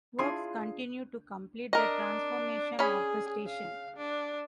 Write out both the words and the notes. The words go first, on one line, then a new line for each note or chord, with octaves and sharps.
Works continue to complete the transformation of the station.
D4 E4 F4 G#4 C6 C7
D4 A#4 D#5
C#4 G#4 B5
F5
D4